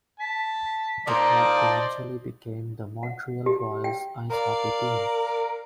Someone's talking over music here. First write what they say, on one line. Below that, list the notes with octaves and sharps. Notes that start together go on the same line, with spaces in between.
The club eventually became the Montreal Royals ice hockey team.
A5 B6
A#2 A#3 D#4 C5 D5 D#5 A5
F#5
G4
G5
A#4 D5 F5